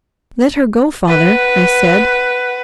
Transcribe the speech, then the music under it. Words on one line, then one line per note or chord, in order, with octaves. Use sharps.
"Let her go, father," I said.
B4 F#5